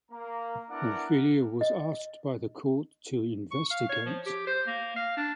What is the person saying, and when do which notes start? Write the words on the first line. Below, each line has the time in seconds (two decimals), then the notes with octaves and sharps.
Orfila was asked by the court to investigate.
0.11 A#3 A#5
0.70 B3 D4 E4 A#4 D5 F#5
1.61 D#5
3.51 C#6
3.70 F5
3.89 C#5
4.06 F3
4.26 G4
4.47 C5
4.67 A#3
4.96 F5
5.17 D4